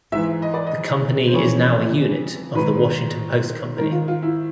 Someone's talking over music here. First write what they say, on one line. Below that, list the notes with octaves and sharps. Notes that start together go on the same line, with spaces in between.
The company is now a unit of The Washington Post Company.
G#2 E3 E5
D#5
D5
D#5
C5
F2 C#3 E3 C#5
G#2 D#3 B4
G#2 D#3 A#4
F4
F4
E4